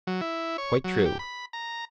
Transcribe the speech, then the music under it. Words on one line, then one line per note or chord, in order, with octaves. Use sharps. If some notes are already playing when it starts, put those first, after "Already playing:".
Quite true.
F#3
E4
C#5
F#3
G4
B5
A#5